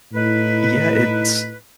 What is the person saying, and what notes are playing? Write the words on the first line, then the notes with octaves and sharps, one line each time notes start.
yeah, it's
A2 D#4 E4 B4